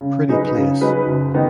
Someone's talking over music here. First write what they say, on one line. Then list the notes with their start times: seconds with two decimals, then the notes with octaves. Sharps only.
Pretty place.
0.01 C#3
0.28 F#3 D#4 G#4 B4
0.54 C#3
0.81 F#3 D#4 G#4 B4
1.07 F#1
1.34 D#3 B3 D#4